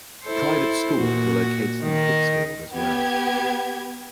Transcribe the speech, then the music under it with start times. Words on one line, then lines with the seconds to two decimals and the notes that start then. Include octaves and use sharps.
Private schools are located in Pittsfield as well.
0.25 E4 A4 C5
0.96 A#2 F#4
1.82 D#3 D#5
2.73 B3 G4 G#6